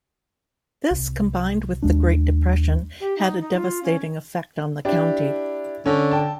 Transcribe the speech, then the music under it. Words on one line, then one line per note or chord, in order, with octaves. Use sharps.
This, combined with the Great Depression, had a devastating effect on the county.
C2
D#2 G#3 D4
G4
D#4
D#4
F4
C#4
D4 E4 G4
D3 C#4
G5 A5